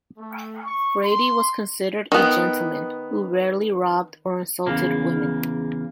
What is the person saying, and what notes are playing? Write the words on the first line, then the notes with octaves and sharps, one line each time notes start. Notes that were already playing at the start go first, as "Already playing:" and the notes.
Brady was considered a gentleman, who rarely robbed or insulted women.
A3
C#6
C6
D#3 B3
E2 C#3 A#3